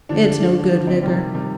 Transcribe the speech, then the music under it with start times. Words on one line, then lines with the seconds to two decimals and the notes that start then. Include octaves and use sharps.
'It's no good, Vicar.
0.09 D3 F3 D4
0.24 D4
0.40 D3 F3
0.72 D3 F3 D4
0.87 C4 D#4
1.03 C3 D#3 G3
1.35 C3 D#3 G3